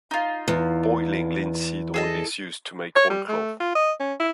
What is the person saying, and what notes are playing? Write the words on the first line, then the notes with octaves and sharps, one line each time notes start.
Boiling linseed oil is used to make oilcloth.
D#4 F4
E2
G#4 A4 D#5
C#5
G3
A3
F4
D#5
C#4
E4